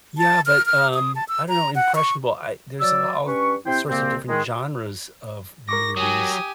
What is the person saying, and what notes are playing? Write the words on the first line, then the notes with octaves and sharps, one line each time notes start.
Yeah, but, um, I don't know, impressionable I there's a lot of sorts of different genres of movies,
A5
F6
F6
D#6
A5
E6
A#5
F#5
C#6
F#3 D5 E6
G2 C#4 B4 C#6
C3 C4 E4 C5 G5
C2 C#3 A#3 C4
D#3 G#3
A#4 C#6 D6 A#6
F#3 G4 G#5 D#6